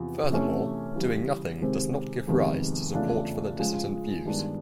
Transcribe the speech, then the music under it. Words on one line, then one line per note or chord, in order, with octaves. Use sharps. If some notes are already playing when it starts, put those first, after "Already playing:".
Furthermore, doing nothing does not give rise to support for the dissident views.
Already playing: E2 C3 F3
C3 E3 A3 C#4
C#3 E3 G3
C3 D#3 G#3 C4
F2 C3 D#3 G#3 B3
E2 C#3 F3 A3 D4
C#3 F3 G#3
G2 D#3 G#3 B3 D4